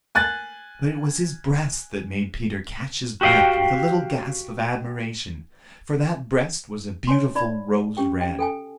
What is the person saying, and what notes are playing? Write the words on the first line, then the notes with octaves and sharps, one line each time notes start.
But it was his breast that made Peter catch his breath with a little gasp of admiration, for that breast was a beautiful rose-red.
G#5 F#6 A6
F#4 G4 D#5 F5 G5
C#5 G#5 C6
D#4 D5 B5
C#4 G4 G5
G5
A4 G5 G#5